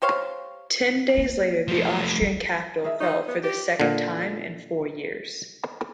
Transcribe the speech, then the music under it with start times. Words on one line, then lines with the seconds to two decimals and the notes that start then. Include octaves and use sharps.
Ten days later, the Austrian capital fell for the second time in four years.
0.02 G4 C5 C#5 F5
1.18 A#3
1.68 F3 A3
2.21 G3
2.84 G#4 A#4 E5
3.00 D#4 C5 C#5
3.28 B3
3.43 G4
3.80 A#2 D3